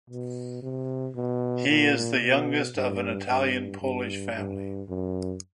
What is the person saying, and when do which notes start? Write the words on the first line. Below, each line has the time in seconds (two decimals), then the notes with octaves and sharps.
He is the youngest of an Italian-Polish family.
0.10 B2
0.63 C3
1.16 B2
1.69 A#2
2.22 B2
2.76 G2
3.29 G2
3.81 G2
4.35 G2
4.89 F#2